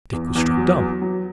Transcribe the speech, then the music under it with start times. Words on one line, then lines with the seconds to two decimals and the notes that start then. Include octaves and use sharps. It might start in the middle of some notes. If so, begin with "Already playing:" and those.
Dick was struck dumb.
0.13 E2
0.35 E2
0.57 F#3
0.80 F#3
1.02 F#3